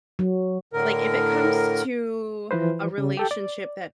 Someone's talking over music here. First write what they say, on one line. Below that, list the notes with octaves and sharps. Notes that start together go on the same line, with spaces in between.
like, if it comes to, a relationship that,
F#3
A2 D3 A#4
E3 F3 B4 C5
C#3
G4 A4 G5
D5